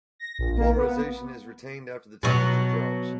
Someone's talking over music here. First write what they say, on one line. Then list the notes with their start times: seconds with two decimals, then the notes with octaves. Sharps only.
The polarization is retained after the temperature drops.
0.19 A#6
0.39 A#1
0.57 A#3
0.76 B3
2.23 B2 F#3